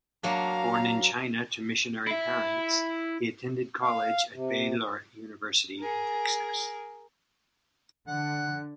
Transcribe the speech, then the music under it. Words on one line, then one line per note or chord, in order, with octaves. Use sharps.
Born in China to missionary parents, he attended college at Baylor University in Texas.
F#3 A#3 D4 F5 A#5
E4 E5
F5
C3
G#4 A#4
D3 F#5